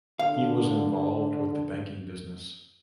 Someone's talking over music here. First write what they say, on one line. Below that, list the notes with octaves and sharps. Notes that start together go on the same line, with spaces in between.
He was involved with the banking business.
D3 F5